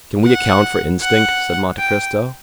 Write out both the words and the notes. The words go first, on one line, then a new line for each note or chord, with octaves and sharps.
"Can we account for instinct?" said Monte Cristo.
F#5
F#5
G5